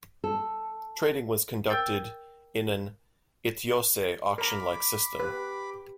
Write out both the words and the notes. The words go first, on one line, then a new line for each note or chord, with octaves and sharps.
Trading was conducted in an "Itayose" auction-like system.
A4
A#4 G5 E6 G6 A6
A#4 A#5 B5 D6
G4 B4